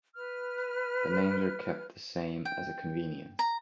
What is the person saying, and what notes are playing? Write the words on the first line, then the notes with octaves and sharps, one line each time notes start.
The names are kept the same as a convenience.
B4 F6
G5
A#5